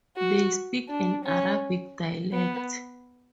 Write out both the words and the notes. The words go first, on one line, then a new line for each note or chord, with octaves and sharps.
They speak an Arabic dialect.
F#4
D4
C#4
B3